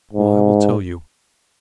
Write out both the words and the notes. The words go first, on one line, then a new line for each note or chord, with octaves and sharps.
Well, I will tell you.
G#2